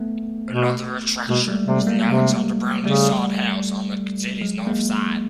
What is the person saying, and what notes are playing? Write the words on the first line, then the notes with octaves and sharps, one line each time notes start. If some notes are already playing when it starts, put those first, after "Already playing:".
Another attraction is the Alexander Brownlie Sod House, on the city's north side.
Already playing: A3 B3
B2
B2 G#3 A#3
G3 A3
C3 G3 A3
G#3 A#3
C3
C#3 G3 A3
F#3 G#3
G#3 A#3